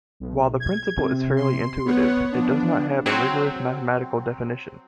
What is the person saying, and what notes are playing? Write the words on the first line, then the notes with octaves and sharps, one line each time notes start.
While the principle is fairly intuitive, it does not have a rigorous mathematical definition.
B1
G#6
C3
C6
B3 B4 C#5 F#5
F3 B3 D4
F#3 C4